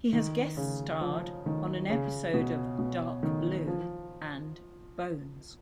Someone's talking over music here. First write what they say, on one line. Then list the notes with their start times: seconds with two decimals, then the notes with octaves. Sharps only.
He has guest starred on an episode of "Dark Blue" and "Bones".
0.13 D#3
0.57 C#3
1.01 F3
1.46 D#3
1.90 C#3
2.34 B2
2.79 B2
3.23 D#3
3.67 F3